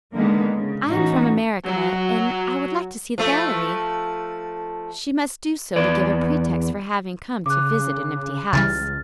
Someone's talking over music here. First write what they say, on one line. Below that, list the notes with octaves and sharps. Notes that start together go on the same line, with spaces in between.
"I am from America, and I would like to see the gallery." She must do so to give a pretext for having come to visit an empty house.
D3 D#3 G#3 A#3 B3 D#4
C#3
A2 E3 C#4 D#4 F#4
F#3
F3 A3
E2 B4 D5
C#3 D6 F#6
C#2 C#3 E3 G3 F6 A6